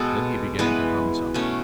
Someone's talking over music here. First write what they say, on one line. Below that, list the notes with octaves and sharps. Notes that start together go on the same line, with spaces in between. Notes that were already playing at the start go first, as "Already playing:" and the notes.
Then he began to hum something.
Already playing: B2 G#3 B3 A4
E3 G#3 B3 B4
B2 A3 C#4